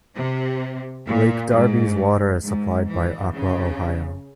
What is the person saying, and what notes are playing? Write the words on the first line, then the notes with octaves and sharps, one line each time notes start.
Lake Darby's water is supplied by Aqua Ohio.
C3
A#2
G#2
G#2
E3
C#3